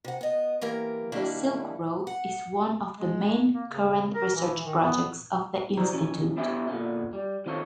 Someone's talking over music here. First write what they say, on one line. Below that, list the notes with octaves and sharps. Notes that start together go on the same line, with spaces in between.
The Silk Road is one of the main current research projects of the institute.
C3 F#5
B3 D#5
E3 A#3 G4 A#4
D#3 G3 A#3 C#4 D4 E4
F#5
G#3
A#3
C#3
A#4
E3
D#3
B3
E3 G3 F#4 C5 A#5
E3 F3 C#4
B3 D4 E4 G4 E5 G#5
A#2 D3 B3 F4
G3
D#3 C4 F4 A4 C#5